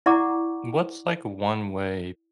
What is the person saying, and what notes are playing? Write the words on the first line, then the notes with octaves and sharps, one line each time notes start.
what's like one way
E4 D5 F#5 A#5 C#6 D6